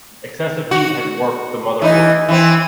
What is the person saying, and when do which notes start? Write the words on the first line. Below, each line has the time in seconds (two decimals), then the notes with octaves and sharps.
Excessive heat had warped the motherboard.
0.71 F#4
1.82 E3 D#4
2.29 E3 C4